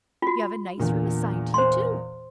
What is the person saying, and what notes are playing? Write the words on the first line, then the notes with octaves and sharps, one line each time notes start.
You have a nice room assigned to you, too.
F4 F#4
E2 A#2 D3
C5 C6